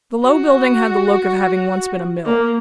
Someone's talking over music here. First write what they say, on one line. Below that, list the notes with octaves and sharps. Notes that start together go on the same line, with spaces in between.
The low building had the look of having once been a mill.
F#4
A#3